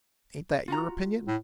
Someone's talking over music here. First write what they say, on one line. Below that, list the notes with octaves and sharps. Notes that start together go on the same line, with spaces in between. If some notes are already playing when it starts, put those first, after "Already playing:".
Ain't that your opinion?'
F4 F#4 A#5
A2